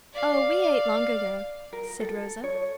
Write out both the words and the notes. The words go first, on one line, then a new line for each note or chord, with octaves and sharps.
"Oh, we ate long ago," said Rosa.
D5 F5
A#4
A4
C#5